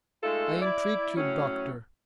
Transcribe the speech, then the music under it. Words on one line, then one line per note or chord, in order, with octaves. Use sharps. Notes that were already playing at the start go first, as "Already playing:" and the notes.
"I entreat you, doctor!"
G#3 A3 D#4 F4 A4
E4 D5
A2 F#3 C#4